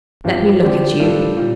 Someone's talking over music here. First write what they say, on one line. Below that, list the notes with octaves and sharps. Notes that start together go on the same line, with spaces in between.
Let me look at you.
G2 F3 C4 G4
D3 F3 C4 G4 D5
A2 G3 D4 F4 A4
A#2 G3